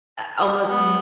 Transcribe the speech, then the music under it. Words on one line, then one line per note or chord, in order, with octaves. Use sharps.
uh, almost,
F#3 G#3 B3